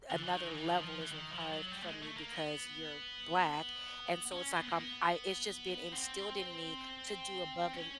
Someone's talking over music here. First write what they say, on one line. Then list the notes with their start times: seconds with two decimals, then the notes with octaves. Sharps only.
another level is required from you, because you're black. And so it's, like, I'm I it's just been instilled in me to do above and
0.11 D3
0.24 E3
0.32 D#3
0.51 E3
0.67 D#3
0.81 F3
1.01 E3
1.12 D#3
1.32 F3
1.51 F#3
1.71 G3
1.83 A3
1.86 G#3
2.02 A3
2.17 A#3
2.31 B3
4.32 C#4
4.52 C4
4.60 B3
4.68 A#3
4.76 B3
5.92 C4
7.73 C#4